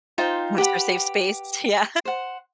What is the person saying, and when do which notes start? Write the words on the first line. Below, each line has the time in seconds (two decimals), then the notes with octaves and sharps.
Once our safe space. Yeah.
0.18 D#4 F4 C5 G5
0.58 G4 B4 F#5 B5
2.05 C5 F#5